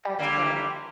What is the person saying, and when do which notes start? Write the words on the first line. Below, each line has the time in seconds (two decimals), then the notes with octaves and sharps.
That's good.
0.19 D3 G3 A#3